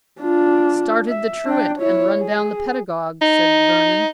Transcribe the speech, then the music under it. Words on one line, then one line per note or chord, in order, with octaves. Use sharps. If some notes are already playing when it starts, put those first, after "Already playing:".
"Started the truant and run down the paedagogue," said Vernon.
D4 F4
E5
D4 G5
E4 C#5
G#4
D#4